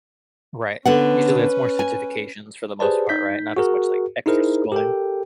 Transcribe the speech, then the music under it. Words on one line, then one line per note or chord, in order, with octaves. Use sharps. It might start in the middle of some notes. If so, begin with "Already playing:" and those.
Right, usually, it's more certifications for the most part, right, not as much, like, extra schooling?
D3 B3 C#4 B4 F#5
G#5
G4 G#4 B4 C5 D5 A5
D#4 G6 B6
F#4 G#4 A#4
D#4 E4 G#4 A#4 C5
G4 A4 A#4 G5